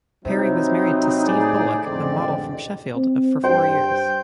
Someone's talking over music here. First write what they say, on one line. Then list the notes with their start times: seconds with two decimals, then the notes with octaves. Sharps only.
Perry was married to Steve Bullock, a model from Sheffield, for four years.
0.25 C3 F#3 C4 D#4 E4
1.25 A2 G#4 D5
1.83 A1 F2 D3 G#3 C4 D5
2.95 C4
3.44 G2 C5 G5